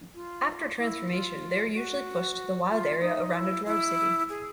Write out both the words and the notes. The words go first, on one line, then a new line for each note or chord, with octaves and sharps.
After transformation, they are usually pushed to the wild area around a drow city.
F4
E4
F4
F#4
F4
D#4
E4
E4
G#4